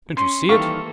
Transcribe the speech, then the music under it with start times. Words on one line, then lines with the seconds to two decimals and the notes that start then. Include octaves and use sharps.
Don't you see it?
0.17 C#4 C6
0.49 D#3 E3 G3 A#3 A4 F5 C#6